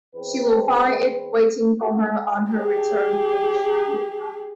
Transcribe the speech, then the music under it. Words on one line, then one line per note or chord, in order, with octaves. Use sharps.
She will find it waiting for her on her return.
E2 C4 B4
G4 G#4